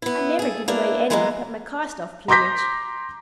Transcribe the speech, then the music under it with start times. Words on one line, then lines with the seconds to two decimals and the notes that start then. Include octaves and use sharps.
I never give away any but my cast-off plumage.
0.02 B3 E4
0.39 G#4 A4
0.68 A#3 B3 D4 E4
1.10 E3 G#3 A#3 B3 D4 D#4
2.28 A#5 C6 D6 G6 A#6 B6